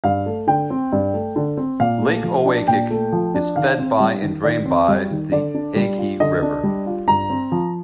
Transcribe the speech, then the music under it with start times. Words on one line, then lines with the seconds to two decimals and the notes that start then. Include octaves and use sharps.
Lake Ouiachic is fed by and drained by the Yaqui River.
0.04 G2 F5
0.26 A3
0.47 D3 G5
0.70 C4
0.92 G2
1.14 A3
1.36 D3
1.57 C4
1.80 A#2 F5
2.02 A3
2.23 F3
2.45 D4
2.68 A#2 G5
2.90 A3
3.12 F3
3.34 D4
3.56 D#3 F5
3.78 C4
4.00 G3
4.22 D#3
4.44 D#3 D5
4.65 C4
4.88 G3
5.11 D#3
5.32 D3 D5
5.54 D4
5.76 G3
5.98 F4
6.20 D3 D#5
6.42 D4
6.63 G3
6.86 F4
7.07 G2 A#5
7.30 C4
7.52 F3